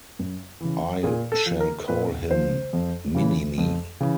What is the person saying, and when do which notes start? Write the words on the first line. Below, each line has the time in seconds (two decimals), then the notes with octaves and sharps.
I shall call him... Mini-Me.
0.19 F#2
0.61 C#3 E3
1.03 A#2 G#4
1.32 A4
1.46 F3
1.60 A#4
1.88 A#2 B4
2.31 F3 C5
2.73 F2
3.15 C#3 E3
3.58 F2
4.01 C#3 E3